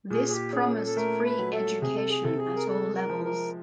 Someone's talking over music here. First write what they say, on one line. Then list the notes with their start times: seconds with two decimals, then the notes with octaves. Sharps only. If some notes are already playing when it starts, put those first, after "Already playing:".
This promised free education at all levels.
0.10 A#2 G#4
0.28 G#4
0.32 G4
0.53 C#4 G#4
0.75 A4
0.86 A4
0.96 A3 A#4
1.24 B4
1.39 F#3
1.53 A4
1.82 C3 G#4
1.96 A4
2.10 G#4
2.24 C3 A4
2.37 G#4
2.56 A#4
2.67 G#3 A4
2.95 A#4
3.10 F3
3.24 A#4